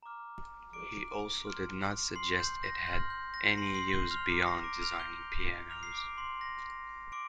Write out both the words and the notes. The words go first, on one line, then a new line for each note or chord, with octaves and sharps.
He also did not suggest it had any use beyond designing pianos.
A#5 D6 F6
D6 D7
C6 F6
C6 C7
G6
A#6
C6 F6 G6
G6
A#6
C6 C7
C6 C7
G6 G7
F6 F7
A#5 C6 D6 G6 C7
A#6
D6 D7
F6 F7
G6 G7
A#5 D6 F6 G6 F7
C7
D6 D7
C6 C7
A#6
C6 D6 D7